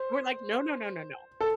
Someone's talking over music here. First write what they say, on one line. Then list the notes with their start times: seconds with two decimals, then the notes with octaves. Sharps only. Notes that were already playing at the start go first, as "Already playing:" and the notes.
We were like, "No, no, no, no, no."
Already playing: C5
1.41 A4